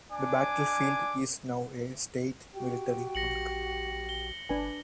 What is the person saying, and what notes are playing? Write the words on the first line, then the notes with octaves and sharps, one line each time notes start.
The battlefield is now a State Military Park.
D4 G#5 D6
F#4 G4 G5
A#1 A#6 C#7 F#7
G7
G1 D4 B4 G#5